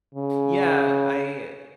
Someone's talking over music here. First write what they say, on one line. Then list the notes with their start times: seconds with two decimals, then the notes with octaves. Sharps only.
Yeah, I
0.15 C#3